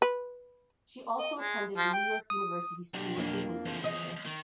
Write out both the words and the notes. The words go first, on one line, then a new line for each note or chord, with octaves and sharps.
She also attended the New York University School of Business Administration.
B4
D#5
G#3
F3
G5
D#6
B1 D4 G4
F2 A#3 D4
E2 F3
D#5
D#3